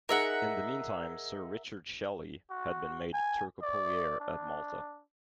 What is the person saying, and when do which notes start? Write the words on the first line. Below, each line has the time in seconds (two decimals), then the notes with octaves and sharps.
In the meantime Sir Richard Shelley had been made turcopolier at Malta.
0.09 D#4 G#4 A#4 E5 F#5
2.50 F#4
3.13 G#5
3.62 D5
4.20 D4